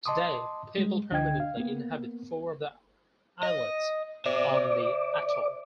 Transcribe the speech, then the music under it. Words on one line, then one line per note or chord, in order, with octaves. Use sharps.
Today, people permanently inhabit four of the islets on the atoll.
D#5 A5 C6 D6 D#6
G3 G#3
C#2 D3 D4 D#5 G5 G#6
F5
A#3 B3
D#5
C5 D5 E5